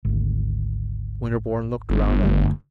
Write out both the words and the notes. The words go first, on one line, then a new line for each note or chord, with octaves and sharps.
Winterborne looked round at it.
G#1 D2
G1
F#1 D3 A3